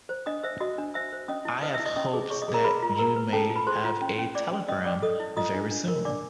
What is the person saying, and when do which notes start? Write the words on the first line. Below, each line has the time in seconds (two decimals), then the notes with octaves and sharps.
I have hopes that you may have a telegram very soon.
0.09 C5
0.26 D4 D#5 D#6
0.43 C5 E5 E6
0.60 F#4 D#5 D#6
0.78 D4
0.94 C5 E5 E6
1.12 C5
1.28 C#4 D#5 D#6
1.45 E4
1.62 B4 D#5 D#6
1.74 E5 E6
1.79 E4
1.86 D#5 D#6
1.96 C#4 D#5 D#6
2.14 G#4
2.30 G#4 C#5 C#6
2.42 D#5 D#6
2.48 G#4
2.53 A#4 A#5
2.64 G#4 B4 B5
2.82 F4
2.98 A#4 B4 A#5
3.16 B4
3.33 C#4 A4 A5
3.50 F4
3.56 B4 B5
3.67 G#4 C5 C6
3.84 F4
4.01 C#4
4.18 C#4
4.35 C#4 D5 D6
4.52 C#4
4.68 C#4 D#5 D#6
4.85 C#4 D5 D6
5.02 A4 D#5 D#6
5.20 E4
5.36 F4 D#5 D#6
5.54 D4
5.71 D4
5.88 A#4
6.05 D4 D5 D6